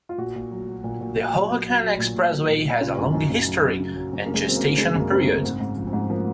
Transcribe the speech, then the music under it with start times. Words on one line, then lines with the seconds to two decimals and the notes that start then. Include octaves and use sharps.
The Hohokam Expressway has a long history and gestation period.
0.09 F4
0.18 A#2 F#4
0.36 A#2
0.52 F#3
0.68 F#3
0.84 A#2
1.01 A#2
1.17 A#2
1.33 F#3
1.50 A#2
1.66 F#3
1.83 F#3
1.99 A#2
2.16 A#2
2.32 F#3
2.48 A#2
2.65 A#2
2.81 C#3 F4
2.98 F#2 D#4
3.14 F#2
3.30 F#2
3.47 F#3
3.63 F#3
3.80 C#3
3.96 F#3
4.13 F#2
4.26 C#3 A#3
4.34 G#3
4.46 F#3 C4
4.56 A#3
4.62 F#3
4.78 C#3 G#3
4.95 F#2
5.00 A#3
5.11 C#3 C4
5.21 A#3
5.27 C#3
5.44 G#2 C4
5.60 G#2
5.76 F3
5.87 C4
5.93 G#2
6.10 F3 A#3